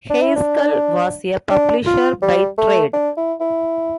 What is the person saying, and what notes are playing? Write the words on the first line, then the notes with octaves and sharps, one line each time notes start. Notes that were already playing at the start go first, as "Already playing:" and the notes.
Heiskell was a publisher by trade.
D4
E4
D4
D4
F4
G3
A3
D4
E4
E4